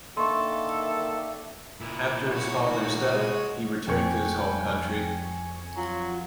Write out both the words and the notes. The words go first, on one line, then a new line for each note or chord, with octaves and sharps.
After his father's death he returned to his home country.
D3 D#3 A#3 A4 E5 C6 C#6
A#2 E4
F#4 C#5
D#3
G#3
F2 G5 G#5 C#6
F#3 F4